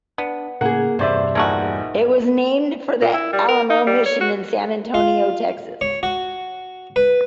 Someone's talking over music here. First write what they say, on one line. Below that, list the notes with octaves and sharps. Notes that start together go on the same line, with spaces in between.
It was named for the Alamo Mission in San Antonio, Texas.
B3 D4
A2 C#3 A#3 G#4 F#5
E2 G2 C3 C5 D5 E5
A#1 G#3 A3 D#4 F#4 A#4 C5
A#2
E4
G3
A#4
D#4
G3
C#5
F#4
F4
C#5
F#4
B4